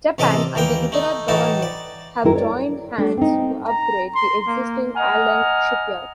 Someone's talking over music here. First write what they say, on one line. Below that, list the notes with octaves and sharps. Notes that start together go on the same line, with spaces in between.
Japan and the Gujarat government have joined hands to upgrade the existing Alang shipyard.
A1 C3 A4 A#4 D#5 D6
D#2 E3 A#4 G5
A3 D#4
A2 E3 D#4 F#4 A5
D5
F#2 D#3 F#3 E4 A#4
C#5 D5
A3 D4
C4 D#4
A#5
C6
A#3
D#5 F#5 G#5 A#5 F6